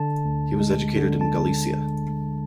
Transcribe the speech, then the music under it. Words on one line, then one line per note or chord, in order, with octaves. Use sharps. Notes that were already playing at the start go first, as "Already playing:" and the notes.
He was educated in Galicia.
Already playing: D3 A5
D2
G#3
D3
A5